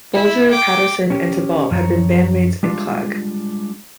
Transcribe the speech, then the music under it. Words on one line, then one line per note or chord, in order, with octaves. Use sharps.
Bolger, Patterson and Thibault had been band mates in Clag.
E4
G5 D6
C#4 G4
F#2 F3 C#5 A#5
G3 G#3 D4 F4